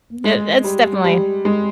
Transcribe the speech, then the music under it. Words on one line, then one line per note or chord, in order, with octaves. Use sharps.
that that's definitely
G#3
G3
G3
G#3